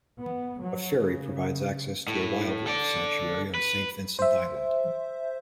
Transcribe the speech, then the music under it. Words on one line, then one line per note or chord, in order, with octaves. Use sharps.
A ferry provides access to a wildlife sanctuary on Saint Vincent Island.
B3
F#3
C#3
A2
A4 D5
B4
C5 E5